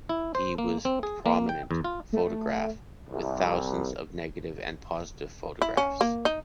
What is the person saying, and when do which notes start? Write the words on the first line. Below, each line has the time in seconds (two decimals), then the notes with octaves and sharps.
He was a prominent photograph, with thousands of negative and positive photographs.
0.09 E4
0.35 C5
0.58 A#3
0.85 C4
1.03 G#4
1.26 A#3
1.49 G5
1.71 E2
1.84 F4
2.13 A3
3.09 C2
5.62 E4
5.77 C#4
6.01 A#3
6.25 D#4